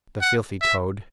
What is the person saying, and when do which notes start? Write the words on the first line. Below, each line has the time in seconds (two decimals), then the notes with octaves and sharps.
The filthy toad... .
0.21 F#5
0.61 E5